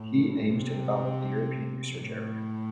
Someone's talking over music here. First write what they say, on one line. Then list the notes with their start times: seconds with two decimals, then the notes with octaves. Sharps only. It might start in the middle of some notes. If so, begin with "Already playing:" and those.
He aims to develop the European Research Area.
Already playing: A2
0.46 C3
2.00 A2